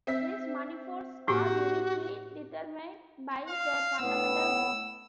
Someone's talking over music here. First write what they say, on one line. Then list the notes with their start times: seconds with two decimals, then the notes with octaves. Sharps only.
These manifolds are uniquely determined by their fundamental groups.
0.07 C4 E5 B6
1.28 A2 A#3 F#4 G4
3.48 F5
3.99 A2 B3 E6